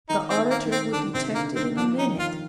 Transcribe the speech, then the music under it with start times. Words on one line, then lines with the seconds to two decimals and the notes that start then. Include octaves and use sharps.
The auditor would detect it in a minute.
0.09 D#3 D#4
0.30 C4
0.37 D#3
0.51 A#3
0.65 D#3
0.72 C4
0.93 D3 D4
1.06 D3
1.14 C3 C4
1.35 D3 A#3
1.56 D#3 C4
1.77 F3 D4
1.99 D#4
2.06 D#3
2.19 F4